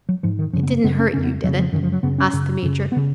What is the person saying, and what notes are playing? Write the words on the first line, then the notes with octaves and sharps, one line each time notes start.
"It didn't hurt you, did it?" asked the Major.
F#3
G#2 F3
D#3
F#2 C#3 F3
B3
A#3
F#2 C#3 B3
C#4
F2 C#3 C#4
B3
F2 C#3 F#3
F3
F#2 C#3 D#3
F3
F#3
F#2 C#3 B3
C#4
F#2 C#3
F#2 C#3
B3
C#3